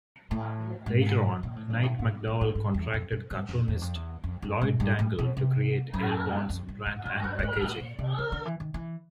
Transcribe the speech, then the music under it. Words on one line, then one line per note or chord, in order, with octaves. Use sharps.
Later on, Knight-McDowell contracted cartoonist Lloyd Dangle to create Airborne's brand and packaging.
A2
G#2
A#2
A2
G#2
A2
G#2
G#2
A2
G#2
E2
F2
F#2
G2
F2
E2
F2
E2
F2
F#2
G#2
G2
A2
B2
C3
F#2
F2
G2
G#2
F#2
G2
G2
G#2
G#2
A2
A#2
C3
C#3
D3
E3
D#3
E3